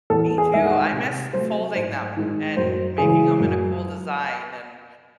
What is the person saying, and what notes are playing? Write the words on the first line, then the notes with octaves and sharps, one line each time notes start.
me too. I miss folding them and making 'em in a cool design and
E2 A4
G#4
D#3 G#3 E5
F#5
C3
F#3 A3 C5
G#2 C5
D#3 G#3
F#2 C5
C#3 E3 G#3 G#4
F#2